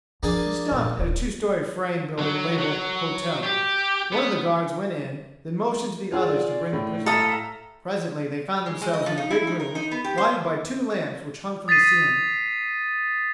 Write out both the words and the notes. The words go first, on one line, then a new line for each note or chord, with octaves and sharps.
They stopped at a two-story frame building labeled "Hotel." One of the guards went in, then motioned to the others to bring the prisoners. Presently they found themselves in a big room, lighted by two lamps which hung from the ceiling.
F3 A#3 D4 G#4
A#2
D1 F4
F#3
F#3
G4
B3
F4 G#4 D5 E6
A2
A4 E5 F5 A#5 D#6
G#3
G#3
D#5
F3
D#4
E4
D#4
A#4
D#4
B3
G4
C5
D#6 A6 B6 C7 D#7